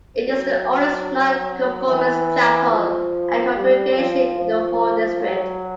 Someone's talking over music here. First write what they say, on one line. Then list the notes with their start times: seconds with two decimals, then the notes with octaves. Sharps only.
It is the oldest Non-conformist chapel and congregation in the whole district.
0.20 F#3
1.88 E3
2.71 F3
3.55 G3
3.97 F3
4.39 F3
5.22 F#3